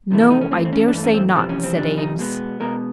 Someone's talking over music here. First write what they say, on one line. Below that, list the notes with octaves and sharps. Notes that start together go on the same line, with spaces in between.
"No; I dare say not," said Eames.
F2 C3 E3 A3
E4
D#4
C#4
G2 E3 A3 C4
C4
C#4
D4
G2 E3 A3 C#4
C#4
C4
F2 C3 E3 G3 C4
C#4
C4
F2 C3 E3 G3 D4
D#4
B2 G#3 B3
B2 G#3 B3 A#4